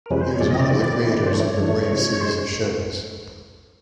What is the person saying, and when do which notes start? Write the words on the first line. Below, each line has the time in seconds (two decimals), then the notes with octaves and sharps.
He was one of the creators of the Brave series of shows.
0.06 A#4
0.10 F2 C3 F3 G#3 C#4 B4
0.21 C5
0.31 C#5
0.40 F2 C3 F3 G#3 C#4 D5
0.50 D#5
0.61 D5
0.71 D#3 G#3 C4 E4
1.01 D#3 G#3 C4 E4
1.26 C5
1.30 G2 E3 A3 D4 C#5
1.60 G2 E3 A3 D4
1.91 C3 F3 G#3
2.20 G#3 C5